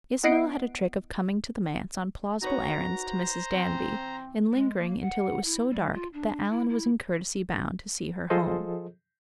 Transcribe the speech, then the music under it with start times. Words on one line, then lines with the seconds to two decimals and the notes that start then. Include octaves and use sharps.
Isabel had a trick of coming to the manse on plausible errands to Mrs. Danby and lingering until it was so dark that Alan was in courtesy bound to see her home.
0.24 B3 E4 D#5 F#5 C7 D7
2.42 D#4 F#4 B4 C#5 A#5
3.02 C5
3.54 E3 C4
4.52 G#3
4.79 A#3
5.01 F#5
5.45 E4
5.71 G3
5.93 F4
6.13 D4
6.50 E4
6.69 E4
8.30 F3 F4 G#4 A4 C5 D#5